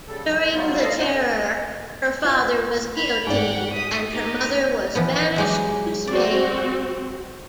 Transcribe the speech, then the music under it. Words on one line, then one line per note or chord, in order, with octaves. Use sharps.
During the Terror her father was guillotined, and her mother was banished to Spain.
C#3 G3 A4
E3 F#3
D#2 C5
F#3 G3 A3 B3 F4
A4 D#5 F5
C#3 C4 D#4 C5 F#5
F4
B5 F7
G#2 D5 F#5 G5
D#6 B6
D#4 G4
E3 F3 B3
F#3 G#3 G4
C4 F#4 D5